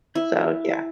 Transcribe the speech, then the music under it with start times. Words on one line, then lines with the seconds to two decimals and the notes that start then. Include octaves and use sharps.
so, yeah.
0.15 E4